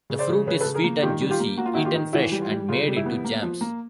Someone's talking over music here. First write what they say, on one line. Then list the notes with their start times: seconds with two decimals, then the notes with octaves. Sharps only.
The fruit is sweet and juicy, eaten fresh and made into jams.
0.10 C#3
0.19 C5 D5
0.29 C#3
0.47 C#3 B4 C#5
0.61 A4 B4
0.66 C#3
0.74 G#4 A#4
0.84 A#3
1.02 D#3 F4 G4
1.21 G3
1.30 F4 G4
1.40 A#3
1.57 A#3 F#4
1.66 F4
1.73 D#3 E4 F#4
1.85 F4 G4
1.96 D#3
2.13 E3 E4 F#4
2.32 G3
2.42 F4
2.51 G3
2.69 C#3 F4
2.88 G3
2.97 E4
3.06 B3
3.25 A#3
3.42 F3
3.61 A#3